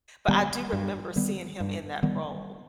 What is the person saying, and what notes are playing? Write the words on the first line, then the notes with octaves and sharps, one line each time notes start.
but I do remember seeing him in that role.
D#3 G3 B3
G2
D#3 G3 B3
G2
D#3 G3 B3